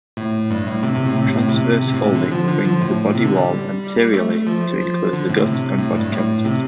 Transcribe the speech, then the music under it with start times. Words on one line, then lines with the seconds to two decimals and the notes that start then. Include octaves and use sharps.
Transverse folding brings the body wall anteriorly to enclose the gut and body cavities.
0.17 A2
0.50 G2
0.67 A2
0.83 C3
0.94 C3
1.05 A2
1.16 C3
1.27 A2
1.39 A2
1.49 C3
1.82 C3
1.93 A2
2.04 C3
2.15 D3
2.32 F3
2.48 D3
2.64 F3
2.81 A2
3.15 C3
3.25 D3
3.36 G3
4.13 A3
4.30 A3
4.47 F3
4.79 F3
5.13 D3
5.29 A2
5.46 C3
5.78 A2
5.95 G2
6.12 A2
6.45 C3